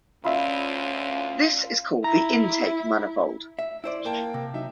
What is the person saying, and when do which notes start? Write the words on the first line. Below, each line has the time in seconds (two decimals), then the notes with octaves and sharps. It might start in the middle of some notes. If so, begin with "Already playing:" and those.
This is called the Intake Manifold.
0.24 D2 C#4 F4 D5 E5 B5
2.04 E4 A#5
3.59 E5
3.84 E4 C5 D5
4.05 A#3 G5 A5
4.34 C3
4.54 F#3 D#4 E5